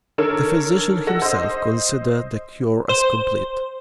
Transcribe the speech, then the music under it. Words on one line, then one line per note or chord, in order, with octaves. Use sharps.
The physician himself considered the cure as complete.
D#3 D4 A4 A#4 C#5 E7
A4 F#5 E6 A#6
C5 D#5
C5